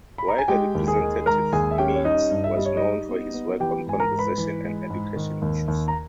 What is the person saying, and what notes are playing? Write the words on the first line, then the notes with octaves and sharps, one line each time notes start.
While a representative, Meeds was known for his work on conservation and education issues.
B5
A#5
G#5
G#3 G4 G5
D#2
G#4 G#5
D#3
G#3 A#4 A#5
D#2 G#4 G#5
E5
C#4 G4 G5
C#5
G3 D#4 D#5
G2
E5
G3 D#5
C#5
D#4 D#5
G3
B3
B3
E3 G4 G5
G#2 G#5
A#4 A#5
G#2
B4 B5
E3
G#3
G#2
D#3
D#2
D#2
A#5